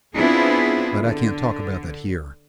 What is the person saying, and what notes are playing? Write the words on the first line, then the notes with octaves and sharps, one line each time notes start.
But I can't talk about that here.
B3 C4 D4 E4 F4 G#4
D3